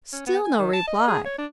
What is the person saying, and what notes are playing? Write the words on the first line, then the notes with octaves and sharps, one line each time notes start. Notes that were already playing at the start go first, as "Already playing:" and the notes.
Still no reply.
C#4
B3
G#5
D#3
A5
D#5
G#4
C#5
D4